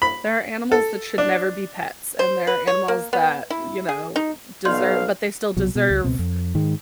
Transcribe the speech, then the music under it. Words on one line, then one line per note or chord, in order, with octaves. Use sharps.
there are animals that should never be pets, and there are animals that, you know, deser but they still deserve
B5
A4
D4
C5
B4
C#5
A#3
B3
E4
G#4
D#4
B1 D5 F5 C6 G6
C2 B2 F#3
B2
C#2
C#2 B2 C4
F2
G#2 D#3 G#3